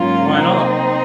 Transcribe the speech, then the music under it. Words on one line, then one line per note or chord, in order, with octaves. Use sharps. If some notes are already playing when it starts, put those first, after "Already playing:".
"Why not?"
Already playing: G#2 F#3 A#3 C#4 F4
C3 F#3 A#3 C4 D#4